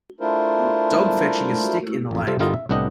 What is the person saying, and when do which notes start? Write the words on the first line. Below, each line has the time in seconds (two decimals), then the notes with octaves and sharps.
Dog fetching a stick in the lake.
0.20 A3 D4 E4 F4 A#4 C5
2.11 A1 F2
2.27 C3 G3 C4 F4 A4
2.39 G1 D3 G3 F4 A#4 D#5
2.54 E5
2.69 C2 A2 B3 D4 G4 D#5